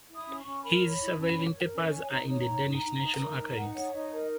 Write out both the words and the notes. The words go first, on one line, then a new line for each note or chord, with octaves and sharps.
His surviving papers are in the Danish National Archives.
E4
D#6
C#4
C#6
C#4
A#4 B5
C#5
E4
C#4
C#5
A#4
C#4
C#5
G#5
D#4 A#5
C#5
D#4
D#4
D#4
D#4
A#4
D#4
D#4 F#5
C#5
D#4 D#5
A#4